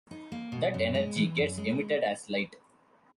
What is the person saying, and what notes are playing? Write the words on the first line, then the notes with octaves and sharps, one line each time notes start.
That energy gets emitted as light.
D#4
A#3
B2
F#2
G#3
E3
F#2
G#3